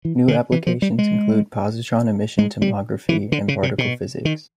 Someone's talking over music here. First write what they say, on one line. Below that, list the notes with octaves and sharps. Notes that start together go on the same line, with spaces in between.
New applications include positron emission tomography and particle physics.
E3
D3
E3
F3
G3
G#3
G#3
G3
E3
D3
C#3
C3
B2
D#3